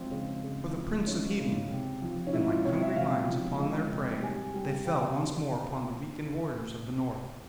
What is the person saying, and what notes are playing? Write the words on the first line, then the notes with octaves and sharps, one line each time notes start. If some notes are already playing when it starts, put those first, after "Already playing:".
"For the Prince of Helium!" and, like hungry lions upon their prey, they fell once more upon the weakening warriors of the north.
Already playing: C#3 F3 G#3 C4
C#3
C#3
F3
G#3 C#4
C#3
C3
F3
C#4
G#3 E4
F4
C3 C#5
E5
C3 F5
F3
G#3
C3
G3 G#5
G3
C#3 G5